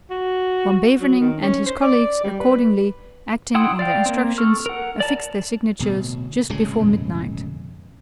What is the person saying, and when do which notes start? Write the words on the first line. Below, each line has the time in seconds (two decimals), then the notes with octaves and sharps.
Van Beverningh and his colleagues accordingly, acting on their instructions, affixed their signatures just before midnight.
0.10 F#4
1.00 F#3
1.20 D#3
1.42 C#4
1.66 C5
1.82 D5
2.24 G3
2.40 B4
3.55 E4 F#5 G5 C6 D#6
3.79 D5 F5 G5
4.06 A#3 C4
4.38 A4 C#6 F6
4.66 A#4 F#5
5.00 D5 A5 A#5
5.80 D1 B2
6.49 D1 C#3 G#3
6.80 F2 B2